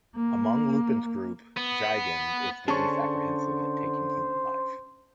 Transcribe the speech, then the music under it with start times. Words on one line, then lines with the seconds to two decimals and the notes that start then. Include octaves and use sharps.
Among Lupin's group, Jigen is the least apprehensive at taking human life.
0.16 A#3
1.57 B3
2.68 D3 C#4 D4 G#4 C5 A5 C#6